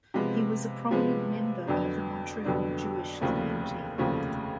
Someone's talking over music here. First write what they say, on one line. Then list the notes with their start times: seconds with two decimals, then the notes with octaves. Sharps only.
He was a prominent member of the Montreal Jewish community.
0.14 C3 F3 G#3 B3
0.91 C3 F3 G#3 B3
1.67 F2 D3 F#3 B3 D4
2.45 F2 D3 F#3 B3 D4
3.21 F1 D#2 C#3 F3 A3
3.98 F1 D#2 C#3 F3 A3